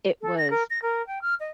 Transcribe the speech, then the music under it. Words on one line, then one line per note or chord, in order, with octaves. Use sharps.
it was
A4
A#6
A#4
A#6
A#4
G5
F6
D#5